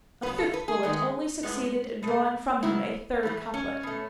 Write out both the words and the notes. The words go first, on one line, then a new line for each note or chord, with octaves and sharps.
A fifth bullet only succeeded in drawing from him a third couplet.
C#3 F#3 B3 B4
A4
B4
G#4
D#3 G#3 B3
A2 G#3 B3
B2 A3
C#3 F#3 B3 E4
A2 E3 A3
C#4
B2 A3